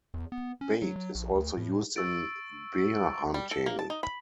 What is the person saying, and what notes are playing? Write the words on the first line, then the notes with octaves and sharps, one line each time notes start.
Bait is also used in bear hunting.
E2
B3
C#4
F#3
F#3
A#1
D2
A2
C#6 E6 A6 D7
G3
A4
A#3
A5
D#4
B5